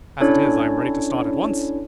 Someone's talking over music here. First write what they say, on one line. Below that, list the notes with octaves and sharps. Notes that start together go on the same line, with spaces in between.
As it is, I am ready to start at once.
C#4 D4 E4 A4 C#5 D5